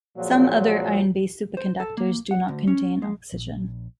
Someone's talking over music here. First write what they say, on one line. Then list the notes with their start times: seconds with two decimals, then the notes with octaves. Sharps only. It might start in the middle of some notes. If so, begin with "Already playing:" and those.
Some other iron-based superconductors do not contain oxygen.
0.17 A#2 F3 F#3 G#3
1.57 C5
1.80 A4
1.97 A#3
2.31 F#5
2.48 D2
2.67 C#4
3.02 G#3
3.32 A#1